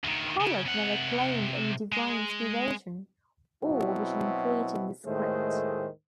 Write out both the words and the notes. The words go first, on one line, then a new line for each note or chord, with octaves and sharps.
Pollard never claimed any divine inspiration or vision in creating the script.
D2 D#3
C#3
C3 F#5
G#3
B2 F#3 C4 E4
D#2 A2 D#3 G#3 A3 C5